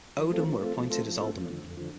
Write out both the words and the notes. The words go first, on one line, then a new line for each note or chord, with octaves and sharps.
Odum were appointed as aldermen.
F3
A3 C4 F4 A4
F3
A3 C4 F4 A4
F3
A3 C4 F4 A4
F3
A3 C4 F4 A4
F2
D3 F3
F2
D3 F3